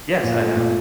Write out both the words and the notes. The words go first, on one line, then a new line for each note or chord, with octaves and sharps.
Yes, I have.
A#2
A3
A#2